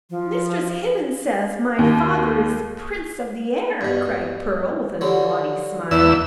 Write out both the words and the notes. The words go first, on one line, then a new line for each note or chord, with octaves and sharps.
"Mistress Hibbins says my father is the Prince of the Air!" cried Pearl, with a naughty smile.
F3
D#2
G2 B2
D3 F#3 G3
E2 D5 E6